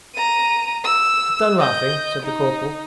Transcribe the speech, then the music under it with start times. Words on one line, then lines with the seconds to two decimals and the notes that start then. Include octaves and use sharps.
'Have done laughing!' said the corporal.
0.15 A#5 D#7
0.84 E6
1.59 D#5 G6
2.23 D#4